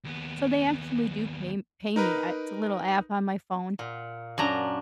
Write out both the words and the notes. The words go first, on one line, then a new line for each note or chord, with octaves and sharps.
So they actually do pay m pay me, I it's a little app on my phone,
D#2 B3
D#4 A#4 B4
A#2
F#2 D4 A#5